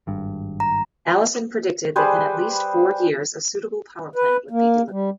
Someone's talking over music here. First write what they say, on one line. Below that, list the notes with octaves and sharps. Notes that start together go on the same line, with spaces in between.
Allison predicted that in at least four years a suitable power plant would be delivered.
G#1 G2
A#5
G3 G#4 B4 C5
B4
A#3
G3